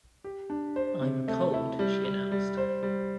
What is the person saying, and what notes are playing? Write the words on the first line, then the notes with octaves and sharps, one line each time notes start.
"I'm cold," she announced.
G4
D4
C5
C3
A3
E4
G3
G3
G3
C5
G3